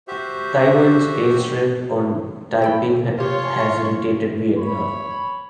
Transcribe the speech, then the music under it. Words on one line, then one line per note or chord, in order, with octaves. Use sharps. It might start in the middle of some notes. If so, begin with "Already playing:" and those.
Taiwan's airstrip on Taiping has irritated Vietnam.
F#4 G4 C5 E5
A4 G5 B5
C3 F4 G4 C#5
C#5 B5